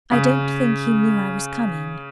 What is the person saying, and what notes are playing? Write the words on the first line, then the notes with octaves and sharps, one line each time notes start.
"I don't think he knew I was coming."
C#3